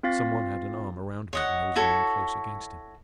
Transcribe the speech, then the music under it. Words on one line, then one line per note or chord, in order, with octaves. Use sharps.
Some one had an arm around me and I was leaning close against him.
C4 F4 F5 A6 A#6
C#5 D#5 F#5
E4 F#4 A4 C#5